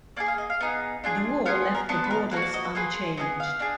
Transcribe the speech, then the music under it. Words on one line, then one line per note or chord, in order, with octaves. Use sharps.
The war left the borders unchanged.
A#3 D#4 G#4 D5
F5
D#5
F5
B3 D#4 G#4
D4 F4 G#4
B3 F4 G#4 F5
A#4
B3 D4 F4 B4
B4
A#4
A#3 D4 F#4 B4
D5
D#5
B4
A#3 F4 G#4 B4
B3 D4 G#4 D#5
F5
D4 G#4